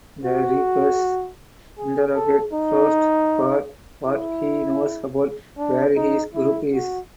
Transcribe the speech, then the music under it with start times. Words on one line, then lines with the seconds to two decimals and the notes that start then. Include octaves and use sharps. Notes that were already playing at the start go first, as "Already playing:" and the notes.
The Reapers interrogate Frost for what he knows about where his group is.
0.25 F#4
1.78 G#4
2.15 A4
2.53 D#4
4.06 E4
5.58 D4
5.96 D#4
6.34 E4
6.73 F#4